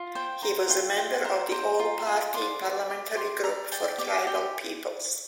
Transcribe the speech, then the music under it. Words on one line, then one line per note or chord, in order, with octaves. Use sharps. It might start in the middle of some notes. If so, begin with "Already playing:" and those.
He was a member of the All-Party Parliamentary Group for Tribal Peoples.
Already playing: F4
C5 G5
C5 A#5
F4 G5
F4 G5
C5 A#5
C5 A#5
F4
F4
D5 C6
D5
G4
G4 C6
D5 A#5
D5 G5
G4 D6
G4 G5